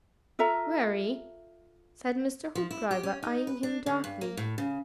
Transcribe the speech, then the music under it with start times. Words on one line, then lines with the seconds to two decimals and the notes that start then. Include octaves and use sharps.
"Very," said Mr. Hoopdriver, eyeing him darkly.
0.39 F4 A4 E5 A#5
2.55 F3
2.71 E4
2.91 G4
3.03 C#4
3.23 D#4
3.47 B4
3.63 D4
3.86 D3
4.04 G2
4.21 A#3
4.37 A2
4.58 C#3